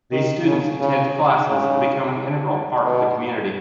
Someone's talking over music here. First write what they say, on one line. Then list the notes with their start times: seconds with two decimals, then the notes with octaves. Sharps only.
These students attend classes and become an integral part of the community.
0.12 D#3
0.46 C#3
0.79 C#3
1.48 C#3
2.85 B2